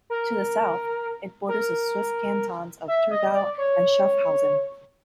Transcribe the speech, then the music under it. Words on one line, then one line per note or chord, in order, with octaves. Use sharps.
To the south it borders the Swiss cantons Thurgau and Schaffhausen.
A#4
A#4
E5
D#5
D5
C#5